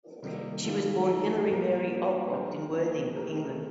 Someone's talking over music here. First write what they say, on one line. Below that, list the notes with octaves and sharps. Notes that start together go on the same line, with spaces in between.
She was born Hilary Mary Allcroft in Worthing, England.
C3 D#3 G3 A#3 D#4
D#3 G3 A#3 F4 A4
A3 D#4 A4
A#2 G3 A#3 F4 A#4
G3 A#3 D4
D3 F3 C4 G4 A#4
F3 A#3 D#4
A3 D#4 G4 A#4